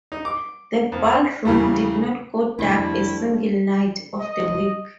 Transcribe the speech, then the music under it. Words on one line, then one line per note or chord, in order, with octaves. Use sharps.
The ballroom did not go dark a single night of the week.
D#4
D6
F2
E2 C#3 E3 G3
F2 G3 A3 C4 D4 E4
D#5